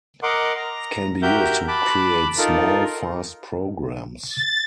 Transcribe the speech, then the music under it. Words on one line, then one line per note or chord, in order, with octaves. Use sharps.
It can be used to create small, fast programs.
A#4 D#5 F#5 C6 D6
A#5
F#4 G4 A#4 E5 G6
A5 B5 D6 F#6
D#4 F4 A4 A#4
A6